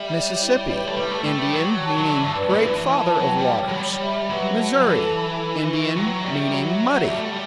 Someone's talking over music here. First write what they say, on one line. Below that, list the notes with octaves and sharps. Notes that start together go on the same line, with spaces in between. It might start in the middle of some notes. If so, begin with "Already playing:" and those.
Mississippi--Indian; meaning "great father of waters." Missouri--Indian; meaning "muddy."
Already playing: G3 E5
C#5
E4
B4
A3
G3 C#6
A3
A3 G5
G3
F#3 C#6
A5
F#3
E3 D5
G2
B4
A2
E3 B4
A5
F#3 G5
G3
C#5
F#3
G3 B5
E5
F#3 B4
A5
E3 A4
B5
B4
C#6
F#3 G5
G3 E5
F#3 F#4
E5
G3 A5
A3
G3